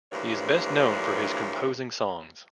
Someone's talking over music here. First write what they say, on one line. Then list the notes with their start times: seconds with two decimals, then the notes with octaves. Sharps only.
He is best known for his composing songs.
0.12 D2 G2 E3 F3 A#3 C#5